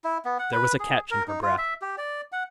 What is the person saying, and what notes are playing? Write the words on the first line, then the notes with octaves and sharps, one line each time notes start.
There was a catch in her breath.
E4
B3
F#5
B4
G#4
A#4
D#4
F4
E5
G4
D5
F#5